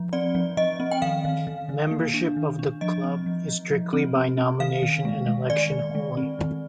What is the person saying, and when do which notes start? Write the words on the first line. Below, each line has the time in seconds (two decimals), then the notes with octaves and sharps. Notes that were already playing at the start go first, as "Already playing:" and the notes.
Membership of the club is strictly by nomination and election only.
Already playing: F3
0.13 C4 D5
0.35 F3
0.57 F3 D#5
0.80 C4
0.92 G5
1.02 D#3 F5
1.25 D#3
1.47 D#3
1.69 D#3
1.91 A#3
2.14 D4
2.37 D#3
2.59 D4
2.81 F3 D#5
3.04 C4
3.26 F3
3.48 F3
3.71 F3
3.93 C4
4.15 C4
4.37 C4
4.60 D#3 F5
4.83 D#3
5.05 G#3
5.27 G#3
5.50 D#3 D5
5.72 D#3
5.95 G#3
6.17 C4
6.39 D#3